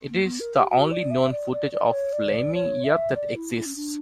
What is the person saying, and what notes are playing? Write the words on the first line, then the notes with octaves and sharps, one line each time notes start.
It is the only known footage of Flaming Youth that exists.
A#3
B3
A#4
G4
F#4
D5
E5
D5
D5
D5
C#5
D5
C#5
D5
C#5
E5
D5
E4
E4
C#4
D4